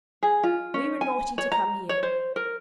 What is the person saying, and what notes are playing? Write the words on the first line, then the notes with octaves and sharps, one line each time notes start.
We were naughty to come here.
G#4
F4
C#4
G#5
C#5
A#5
C#5
C5
A#4